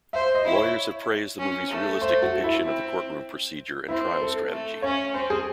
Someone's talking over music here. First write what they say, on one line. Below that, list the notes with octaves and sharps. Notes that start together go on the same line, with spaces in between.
Lawyers have praised the movie's realistic depiction of courtroom procedure and trial strategy.
C5 E5
D#5
E4
C#5
C#4
A3
C5
F#4
E4
C4
C4 E4
A4
A3
C#4 C#5
C4 C5
G#4